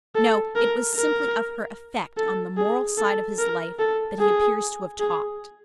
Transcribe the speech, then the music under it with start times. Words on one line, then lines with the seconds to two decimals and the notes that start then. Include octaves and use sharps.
No, it was simply of her effect on the moral side of his life that he appears to have talked.
0.15 A4
0.56 A#4
0.96 A#4
2.18 A4
2.57 G#4
2.98 A4
3.39 A#4
3.79 A4
4.20 G#4
5.00 G#4